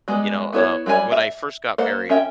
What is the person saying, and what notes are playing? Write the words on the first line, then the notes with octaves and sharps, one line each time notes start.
You know, um, when I first got married,
G3 G#3 B3
B3 E4 C#5
F#3 G3 C#5 G#5 B5
E5
A#3 C5 F#5
C#4 E5 G5